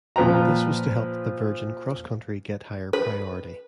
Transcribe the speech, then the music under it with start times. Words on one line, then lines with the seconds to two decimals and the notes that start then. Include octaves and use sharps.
This was to help the Virgin CrossCountry get higher priority.
0.16 A#2 F3 B4 G5 A#5
2.93 B4